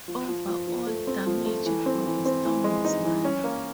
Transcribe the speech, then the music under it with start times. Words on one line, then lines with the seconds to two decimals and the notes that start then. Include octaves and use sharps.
Overall damage from the storm was minor.
0.08 F3
0.28 F3
0.48 F3
0.67 F3
0.87 A3
1.07 C4
1.26 F3
1.46 A3
1.66 E3
1.86 C4
2.06 E3
2.25 C4
2.45 E3
2.64 G#3
2.85 D#4
3.05 E3
3.25 C#4
3.44 A#3